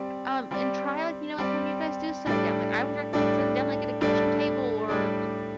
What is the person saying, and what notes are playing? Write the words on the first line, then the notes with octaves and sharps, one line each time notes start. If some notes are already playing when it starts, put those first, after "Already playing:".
Um, and try, like, you know, like, when you guys do sit down, like, I would recommend sitting down, like, at a kitchen table or the
Already playing: G3 C4 G4 D5
G3 C4 G4 D5
G3 C4 G4 D5
A2 G3 D4 A4 D5
A2 G3 D4 A4 D5
A2 G3 D4 A4 D5
A2 G3 D4 A4 D5